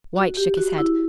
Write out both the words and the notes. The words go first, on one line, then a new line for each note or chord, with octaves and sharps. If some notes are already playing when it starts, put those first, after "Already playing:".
White shook his head.
F#4
G4
F#4
E4